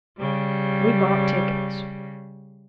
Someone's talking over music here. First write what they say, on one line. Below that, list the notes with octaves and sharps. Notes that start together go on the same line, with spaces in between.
We bought tickets.
C#3 G3